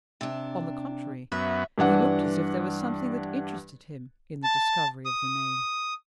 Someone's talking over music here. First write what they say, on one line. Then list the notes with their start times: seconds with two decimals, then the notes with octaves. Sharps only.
On the contrary, he looked as if there was something that interested him in the discovery of the name.
0.21 C3 D4
1.32 F#2 B3 E5
1.78 G2 E3 D4 F#5
4.44 A5
5.05 D#6